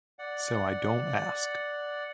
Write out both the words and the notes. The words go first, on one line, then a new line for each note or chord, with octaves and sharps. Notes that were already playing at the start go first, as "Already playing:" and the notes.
So I don't ask.
D5 F#5